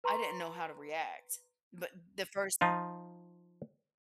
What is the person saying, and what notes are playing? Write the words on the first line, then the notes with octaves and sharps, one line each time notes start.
I didn't know how to react, but the first
B4 A#5 C6 C#6
F3 D#4 F4